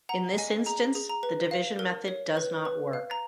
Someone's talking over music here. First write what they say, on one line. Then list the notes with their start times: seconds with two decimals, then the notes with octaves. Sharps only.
In this instance, the division method does not work.
0.09 F#5 A#5
0.38 D#5 G#5
0.66 G#4 A#5
0.95 G#4
1.09 A#5
1.23 B4
1.51 F5
1.79 A#4
2.08 C#5
2.37 B4
2.65 B4
2.93 F5
3.11 A#5